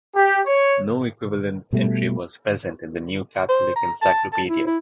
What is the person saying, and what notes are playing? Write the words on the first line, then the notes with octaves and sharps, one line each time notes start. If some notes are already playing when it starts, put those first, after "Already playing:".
No equivalent entry was present in the "New Catholic Encyclopedia".
G4
C#5
B2 G3 A3
C5
A#5
A5
A5
E4
E4